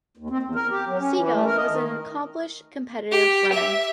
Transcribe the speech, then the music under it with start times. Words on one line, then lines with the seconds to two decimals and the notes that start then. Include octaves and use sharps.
Segal was an accomplished competitive runner.
0.17 D#2
0.30 C4
0.43 E2
0.55 A#4
0.71 G4
0.87 F#3
1.00 C#4
1.16 E3
1.32 A3
1.45 A#4
1.57 D#5
1.69 D#3
3.11 G4
3.52 E5